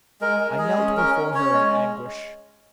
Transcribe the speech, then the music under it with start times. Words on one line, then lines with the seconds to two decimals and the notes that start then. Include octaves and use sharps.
I knelt before her in anguish.
0.21 G#3 A#4
0.40 G#3
0.58 G#3 G#4
0.78 C#4
0.97 C#4 A#4
1.15 C#4
1.34 C#4 C#5
1.53 G#3